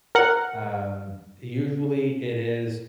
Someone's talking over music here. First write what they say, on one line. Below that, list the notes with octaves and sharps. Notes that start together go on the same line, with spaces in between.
um, usually it is
A#4 F#5